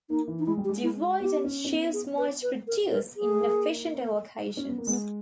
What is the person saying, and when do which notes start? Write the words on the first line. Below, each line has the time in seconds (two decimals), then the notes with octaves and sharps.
Divide-and-choose might produce inefficient allocations.
0.10 A#3 D#4
0.28 E3
0.39 D#4
0.46 G#3 E4
0.57 G3
0.65 G4
0.69 G#3
0.83 E4
1.20 B3 G4
1.44 C#4
1.65 C#4
1.69 B3
1.93 G#4
2.18 B4
2.43 B4
2.67 A#4
2.91 A#4
3.16 G#4
3.41 A#3
4.57 C#4
4.68 B3
4.78 A#3
4.87 G#3 B3